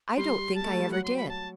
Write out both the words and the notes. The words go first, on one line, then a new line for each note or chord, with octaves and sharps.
"I don't think I ever did."
G3 C6
A5
A3
G3
F#3 F#5
C6
B5
A5